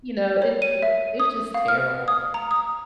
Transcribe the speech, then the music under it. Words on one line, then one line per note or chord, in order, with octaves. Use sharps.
You know, it it's it's just terrible.
C#5
D#7
E5
D#6
F5
F6
D#6
A#5
D#6